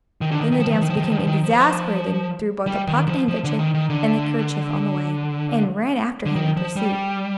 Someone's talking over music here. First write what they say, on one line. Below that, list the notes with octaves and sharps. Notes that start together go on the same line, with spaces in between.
Then the damsel became exasperated, and threw both the pocket-handkerchief and the kerchief on the way, and ran after him in pursuit.
D#3
D3
D#3
D#3
F3
D#3
F3
D#3
F3
D#3
F3
D#3
F3
D#3
F3
G3
D#3
F3
F3
D3
D#3
D#3
D3
D3
D#3
F3
G3